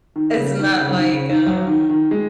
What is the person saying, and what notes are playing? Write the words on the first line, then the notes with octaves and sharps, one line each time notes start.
it's not like, um,
D#3
C#3
D#3
C#3
F#3
D#3
C#3
D#3
F#3
D#3
D#3
G#3